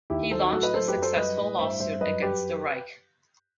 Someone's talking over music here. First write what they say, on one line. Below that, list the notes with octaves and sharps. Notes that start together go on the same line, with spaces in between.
He launched a successful lawsuit against the Reich.
D#2 E4 G4
F#3 A4 C5
D#4 F#4
A2 F#4 A4
B4 D#5
F#3 A4 C5
G4 B4
F#2
A4 C5
G3 B4 D#5
A2
G2 C5 E5
G2 C5 E5
F#2 B4 D#5
F#2 G4 B4